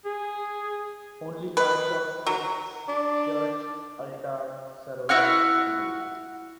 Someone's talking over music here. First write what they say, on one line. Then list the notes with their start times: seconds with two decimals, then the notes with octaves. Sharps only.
Only part of its church altar survives today.
0.05 G#4
1.57 B4
2.27 F#3
2.88 D4
5.09 E4 F#4 F#5 F6